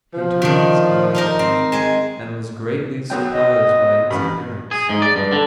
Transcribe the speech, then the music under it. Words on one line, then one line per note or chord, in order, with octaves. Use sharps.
He turned his eyes upon it, and was greatly surprised by its appearance.
F3
D#3 D4
D#4 G4 A#4
C4
G#3 G#5
B1 F#3 G5
D#5
A1 G2
G#4
G#2
D5
G2
D3